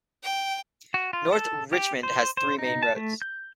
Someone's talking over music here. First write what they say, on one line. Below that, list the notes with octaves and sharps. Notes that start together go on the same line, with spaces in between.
North Richmond has three main roads.
G5
F#4
F4
A4
G4
C5
C5
D#4
A5
A3
G6